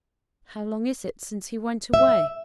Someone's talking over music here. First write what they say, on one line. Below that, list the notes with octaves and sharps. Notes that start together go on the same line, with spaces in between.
'How long is it since he went away?'
E5